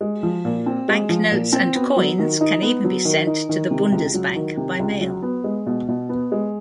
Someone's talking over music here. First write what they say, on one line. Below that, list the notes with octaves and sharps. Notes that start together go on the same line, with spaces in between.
Banknotes and coins can even be sent to the Bundesbank by mail.
G#3
F3
A#2
C4
G#3
F3
A#2
C4
B3
F#3
D#3
D#4
B3
F#3
D#3
D#4
D#3
C3
C#2
F#3
D#3
C3
C#2
F#3
B3
G#3
B2
B2
B3
G#3